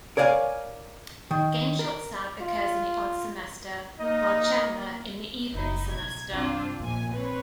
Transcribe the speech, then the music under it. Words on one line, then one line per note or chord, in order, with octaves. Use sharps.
Ganeshotsav occurs in the odd semester while Chetna in the even semester.
A#4 C#5 D5 F5 F#5 G#5
D#3
A#4
F4
A#3 D#4 D#5
F#1 D#4 E4
B1 G#6
C2 G2 C4 D4 F4
A#1 E2 A#2 G#5
C4 B4 C#5